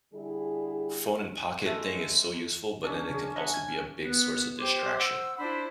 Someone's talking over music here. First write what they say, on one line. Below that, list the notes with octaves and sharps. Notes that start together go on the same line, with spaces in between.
phone-in-pocket thing is so useful, but then it can also be a big source of distraction,
D3 G3 E4 G#4
G#3 A3
C#4 D4
C#3 G#4
D#5 E5 F#5 G#5
G#6
B3
G4 C5 C6 D6
F#5 E6
D4 E4 C5 B5